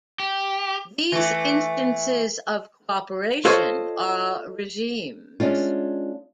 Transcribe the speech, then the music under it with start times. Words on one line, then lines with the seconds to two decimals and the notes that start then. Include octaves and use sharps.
These instances of cooperation are regimes.
0.20 G4
1.12 E3 A3
3.45 F4 A4 C5 C#5 D#5
5.40 G#3 C#4 D4 F4